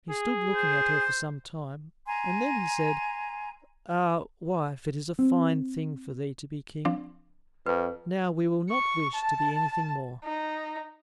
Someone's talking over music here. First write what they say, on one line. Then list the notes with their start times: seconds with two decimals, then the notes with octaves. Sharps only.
He stood looking at her for some time, and then he said, "Ah, wife, it is a fine thing for thee to be king; now we will not wish to be anything more."
0.11 G#4
0.55 C5
2.07 G#5 A#5 C6
5.19 C4
6.85 F3 C4 D4
7.66 F2 B4
8.69 C#6
9.14 A5
10.24 D#4